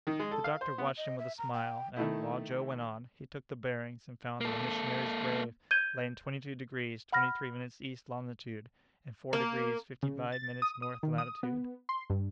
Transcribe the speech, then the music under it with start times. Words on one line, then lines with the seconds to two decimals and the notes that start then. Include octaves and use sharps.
The doctor watched him with a smile; and, while Joe went on, he took the bearings, and found that the missionary's grave lay in twenty-two degrees twenty-three minutes east longitude, and four degrees fifty-five minutes north latitude.
0.07 D#3
0.19 G#3
0.31 A4
0.44 F5
0.61 C5
0.78 B3
0.98 D#5
1.19 E5
1.38 A#5
1.54 G5
1.96 D#3 A3 E4
4.41 A#3 A4
5.71 G6 G#6 D#7 G7
7.12 F#5 B5 F6 A#6
9.33 A#3
10.03 C#3
10.32 A6
10.62 D#6
10.82 D#6
11.03 D#3
11.18 D#6
11.43 B3
11.89 C6
12.10 G2